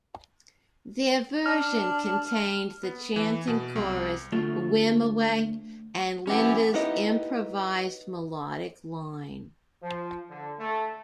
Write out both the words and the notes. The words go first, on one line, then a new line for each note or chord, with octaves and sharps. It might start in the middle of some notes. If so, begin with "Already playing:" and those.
Their version contained the chanting chorus "Wimoweh" and Linda's improvised melodic line.
D4 F6
B3
E3
B2
C2
D2 A3 F4
E3 C#4 E4 G4 F#5
B3 D#4 E4 G4 D#5
F3
D3
A3